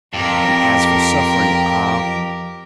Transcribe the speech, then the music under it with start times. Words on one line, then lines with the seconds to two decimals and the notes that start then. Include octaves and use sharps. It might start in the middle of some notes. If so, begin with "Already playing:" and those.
And as for suffering--ah!
0.13 F2 G4 A#4